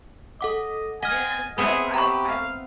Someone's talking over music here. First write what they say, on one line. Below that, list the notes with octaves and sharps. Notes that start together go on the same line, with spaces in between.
And I I I
A4 D#5 F#5 D6
D#5 F#5 G#5 F6
B3 C4 G#4 E5
G4 A#5 B5 C#6
F5